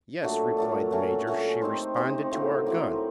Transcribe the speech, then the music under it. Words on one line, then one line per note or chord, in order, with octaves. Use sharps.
"Yes," replied the major; "she responded to our gun."
A#2 F#3 A3 D4
A#2 F#3 A3 D4
A#2 F#3 A3 C#4
A#2 F#3 A3 C#4
C4 D#4 G4 C5
C4 D#4 G4 C5
A2 F#3 A#3
A2 F#3 A#3